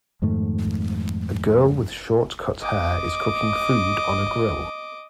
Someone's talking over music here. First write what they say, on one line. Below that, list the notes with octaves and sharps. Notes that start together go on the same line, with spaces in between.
A girl with short cut hair is cooking food on a grill.
F2 G#2 D#3 A3
D#5 D6